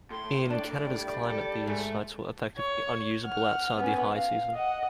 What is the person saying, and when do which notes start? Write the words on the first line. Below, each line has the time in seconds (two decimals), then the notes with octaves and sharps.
In Canada's climate, these sites were effectively unusable outside the high season.
0.10 A2 C6
0.50 D4 D5
0.85 G3
1.31 A4
1.67 G#2 A3 A4
2.57 C#5
3.26 F#5 F6
3.78 B3 C#4
4.14 F5
4.55 D#5 F#5